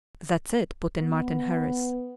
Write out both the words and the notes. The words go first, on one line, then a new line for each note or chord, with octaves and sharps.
"That's it," put in Martin Harris.
B3